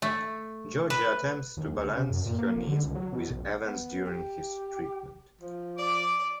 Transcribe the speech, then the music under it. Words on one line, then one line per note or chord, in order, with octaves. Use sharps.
Georgie attempts to balance her needs with Evan's during his treatment.
A3
B4
D#2
D2
C#3
F#2
A#2
A#3
F1
D3
C#2
F#3
B2
A#1
B3
G4
F3
D5 D6